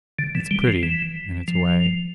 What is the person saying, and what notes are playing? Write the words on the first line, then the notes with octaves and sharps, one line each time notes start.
It's pretty in its way.
D3
E3
G3
F3
E3
F3